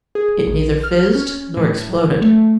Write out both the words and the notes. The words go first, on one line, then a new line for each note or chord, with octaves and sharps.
It neither fizzed nor exploded.
G#4
A#1
F6
C#4
A2
A2
F#3
A3